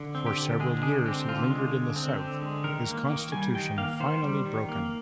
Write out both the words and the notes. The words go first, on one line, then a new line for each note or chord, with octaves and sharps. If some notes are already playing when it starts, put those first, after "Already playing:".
For several years he lingered in the south, his constitution finally broken.
Already playing: D3
C4
G4
D3
G#3 G#4
D3 G#4
C4 G4
D3 F4
G#3
D3
C4
D3
G#3
D#3 A#4
A#3
D#3
G3 G#5
D#3 G5
A#3 F5
D#3 C5
G3
D#3
A#3